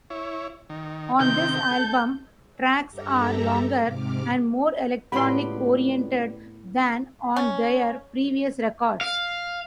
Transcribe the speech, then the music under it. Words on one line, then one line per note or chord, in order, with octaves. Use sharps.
On this album, tracks are longer and more electronic-oriented than on their previous records.
E4 C#5
D#3
C3 D#3 G6
A4
G2 G4 A4 E5 A#5
G#2 C3 D6 F6
C#2 A2 B3 G4 B4 D5 B5 C6
C#4
F5